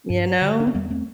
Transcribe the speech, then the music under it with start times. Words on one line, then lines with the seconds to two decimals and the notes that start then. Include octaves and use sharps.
You know?
0.10 G2
0.42 D3
0.60 D4
0.67 C4
0.75 E2 G3 B3
0.90 A3 C4